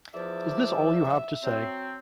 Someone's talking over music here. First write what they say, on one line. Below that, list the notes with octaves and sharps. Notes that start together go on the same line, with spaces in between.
Is this all you have to say?
E2 F3 D5 E5
F#3 C4